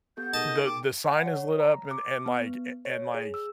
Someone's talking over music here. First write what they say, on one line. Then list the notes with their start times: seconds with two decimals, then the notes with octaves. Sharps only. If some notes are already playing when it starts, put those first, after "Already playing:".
the the sign is lit up and and, like and, like,
0.17 B3 G4 A4 F#5 G6
0.34 D#4 G#4 A#4 D#5 A5
0.66 G5 D6
1.07 F#5
1.26 C#5
1.60 A#5
1.91 D6
2.26 B3
2.85 C#5
3.14 G#4
3.34 E6